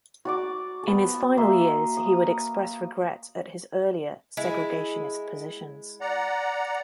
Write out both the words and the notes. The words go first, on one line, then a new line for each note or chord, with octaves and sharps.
In his final years, he would express regret at his earlier segregationist positions.
F#4 D5 D6
B3 A4
A#3 D#5 E5 C6
D#6
G#3 E4
D5 F#5 A#5